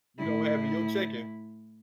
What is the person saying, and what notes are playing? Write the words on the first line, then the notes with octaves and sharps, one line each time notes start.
you don't have in you're checking,
A2 E4